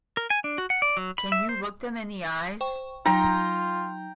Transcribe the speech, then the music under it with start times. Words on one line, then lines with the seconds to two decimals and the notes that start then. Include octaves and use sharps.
Can you look them in the eyes?
0.17 A#4
0.30 G#5
0.44 D4
0.58 F#4
0.70 F#5
0.82 D5
0.97 F#3
1.18 B5
1.32 E5
1.49 C5
2.61 C5 G5 C#6
3.06 F#3 D#4 F4 G5 A#5